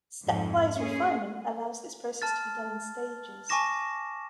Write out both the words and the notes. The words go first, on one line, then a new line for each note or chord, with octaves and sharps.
"Stepwise refinement" allows this process to be done in stages.
F2 G#2
A#3 C#4 G#4
A5 F6 A6
G#5 A5 C#6 D6 A#6 E7